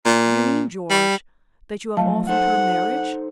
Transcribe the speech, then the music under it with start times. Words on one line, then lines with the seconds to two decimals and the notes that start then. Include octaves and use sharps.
"Do you mean, George, that you have offered her marriage?"
0.06 A#2
0.90 G3
1.97 F3 F#3 A3 F5 A5
2.29 D#4 A4 C5 F#5